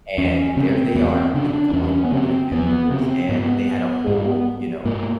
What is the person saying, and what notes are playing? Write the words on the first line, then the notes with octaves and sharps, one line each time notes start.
and there they are with a couple of our other family members, and they had a whole, you know,
E2 C#4
C#3 C4
E2 B3
C4
C#3 D4
D4
E2 C#4
B3
C#3 C4
E2 B3
C#3 C4
G#2 B3
G#2
G#2 A#3